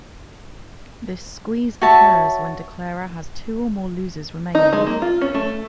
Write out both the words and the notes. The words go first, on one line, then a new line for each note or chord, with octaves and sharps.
This squeeze occurs when declarer has two or more losers remaining.
F#4 C#5 E5 A5
D#4
G#3
A#3
F4
C#4
A3